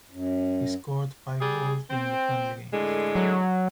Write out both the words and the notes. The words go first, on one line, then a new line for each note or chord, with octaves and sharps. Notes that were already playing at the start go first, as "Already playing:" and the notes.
He scored five goals during the friendly games.
F#2
G3 G#4
C4
A2 D3 G#3
F#3